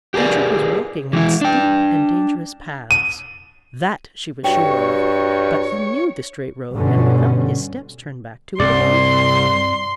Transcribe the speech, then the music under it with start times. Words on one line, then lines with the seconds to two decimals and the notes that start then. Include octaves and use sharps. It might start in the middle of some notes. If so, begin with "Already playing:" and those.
Dietrich was walking in steep and dangerous paths; that she was sure of, but he knew the straight road and would not his steps turn back to it again?
0.14 G4 G#4 A#4 B4 D5
1.13 E3 G#3 E4
1.41 D4 G5
2.91 D#7
4.44 G2 F#4 C#5 G5
6.75 G2 B2 D3 C#4
8.60 C2 G2 C4 D5 C6